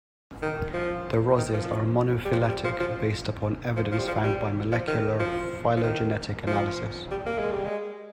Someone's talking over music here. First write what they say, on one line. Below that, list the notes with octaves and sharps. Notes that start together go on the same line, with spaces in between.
The rosids are monophyletic based upon evidence found by molecular phylogenetic analysis.
D#3
F3
D#3
F3
G3
F3
G3
F3
F3
F3
F3
G3
F3
G3
F3
D#3
F3
F3
D#3
F3
G3
A#3
G#3
G3
G#3